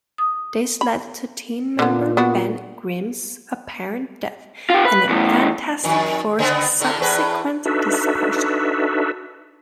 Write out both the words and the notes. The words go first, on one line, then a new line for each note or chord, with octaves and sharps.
This led to team-member Ben Grimm's apparent death and the Fantastic Four's subsequent dispersal.
D#6
B5
A#2 D3 B3
B3 D4 F#4
F4 G4
B4
E2 A2
F2 D#3
C#3 B3 C4
A2 D3 A3
E2 A2 B4
D4 D#4 F#4 A4 B4 E5